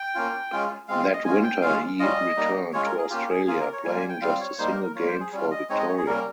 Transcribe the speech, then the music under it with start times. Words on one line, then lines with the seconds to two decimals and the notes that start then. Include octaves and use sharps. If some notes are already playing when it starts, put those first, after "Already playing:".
That winter he returned to Australia, playing just a single game for Victoria.
Already playing: G5
0.15 A#3 C#4 F4
0.52 G#3 C#4 F4
0.88 G#3 C4 F4 F5
1.00 F5
1.13 D#5
1.25 G#3 C#4 F4 G#5
1.43 G5
1.62 G#3 C#4 F4 F5
1.99 G3 C#4 F4 D#5
2.37 G3 A#3 D#4
2.73 G#3 C#4 F4 C#5
2.86 A#4
2.98 G#4
3.10 A#3 C#4 F4 G4
3.29 G#4
3.47 A#3 F4 G#4
3.60 A#4
3.73 C#5
3.84 G3 A#3 F4 G#5
3.97 G#5
4.09 G5
4.21 G3 C4 F4 F5
4.41 C#5
4.59 G3 A#3 D#4 C5
4.71 A#4
4.84 A#4
4.96 G3 A#3 F4 C#5
5.08 C5
5.20 G#4
5.33 G3 C#4 F4
5.51 D#5
5.70 G#3 C4 D#4 C#5
5.79 D#5
5.89 C#5
5.97 G#4
6.07 G3 A#3 C#4 A#4